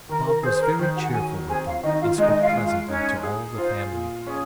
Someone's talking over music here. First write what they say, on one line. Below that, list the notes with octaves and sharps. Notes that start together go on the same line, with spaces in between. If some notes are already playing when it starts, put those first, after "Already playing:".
Bob was very cheerful with them, and spoke pleasantly to all the family.
D#3 A#4
A#4
G#4 C5
C5
A#4
D#3 C5
F#4 F#5
F#5
F#3 G#4 G#5
C4 G#4 G#5
F4 F5
D#3 D#4 D#5
F4 F5
G#3 D#4 D#5
D#5
F4 F5
G#3
F4 F5
C#4 D#4 C#5
G#4
F4 C5
A#2
C#4 G#4